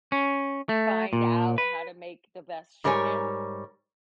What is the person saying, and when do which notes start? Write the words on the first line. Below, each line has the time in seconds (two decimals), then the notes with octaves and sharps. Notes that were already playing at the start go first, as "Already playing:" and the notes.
find out how to make the best chicken,
0.12 C#4
0.69 A3
1.13 A#2
1.58 B4
2.84 G#2 G3 A#4 C#5 G#5